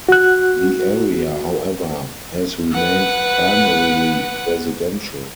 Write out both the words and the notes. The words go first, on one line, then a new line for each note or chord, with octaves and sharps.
The area, however, has remained primarily residential.
F#4 F#6
B4 F#5